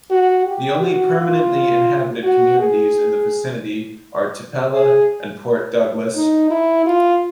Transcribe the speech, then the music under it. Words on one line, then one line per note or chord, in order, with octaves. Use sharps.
The only permanently inhabited communities in the vicinity are Tipella and Port Douglas.
F#4
G4
F#4
F4
F#4
G#4
G#4
D#4
E4
F4